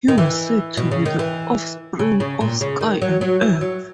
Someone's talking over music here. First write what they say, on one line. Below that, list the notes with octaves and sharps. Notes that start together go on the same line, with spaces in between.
He was said to be the offspring of Sky and Earth.
D#3
E3
B2
C#3
D#3
E3
C#3
C#3
A#2
C#3
D#3
F#3
F#3
E3
F#3